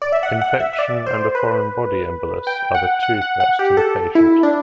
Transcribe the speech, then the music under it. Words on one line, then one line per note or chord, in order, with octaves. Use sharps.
Infection, and a foreign body embolus are the two threats to the patient.
D5
E5
F#5
F#5
E5
E5
D5
C5
B4
G5
F#5
F#5
F#5
F#5
G4
A4
E4
D4